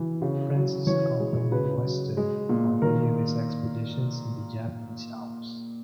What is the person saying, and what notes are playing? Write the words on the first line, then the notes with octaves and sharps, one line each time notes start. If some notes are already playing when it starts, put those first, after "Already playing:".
Frances accompanied Weston on many of his expeditions in the Japanese Alps.
Already playing: E3
C#3
F#3
E3 C#5
G#3
C#3 B4
F#3
G#3
A#2
D#3 A#4